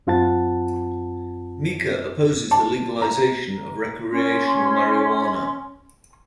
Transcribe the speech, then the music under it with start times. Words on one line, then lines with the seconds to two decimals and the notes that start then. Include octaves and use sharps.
Mica opposes the legalization of recreational marijuana.
0.07 F#2 C4 F4 F#5 A5 A6
2.51 A5
3.02 A#5
4.11 C#4 C6